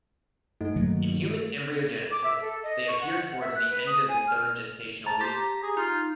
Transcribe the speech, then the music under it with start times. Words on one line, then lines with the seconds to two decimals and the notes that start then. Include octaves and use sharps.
In human embryogenesis they appear towards the end of the third gestational week.
0.61 G2 A3 D#4
0.76 D#3 F#3 A#3
2.11 D6
2.24 E5
2.41 A4
2.63 D#5
2.88 C#6
3.01 F#5
3.41 E5
3.55 F#6
3.70 B4
3.87 D#6
4.09 G#5
4.27 F6
5.06 A5 A#5
5.21 G4 C5
5.34 A#5
5.62 G#4
5.77 D#4 F4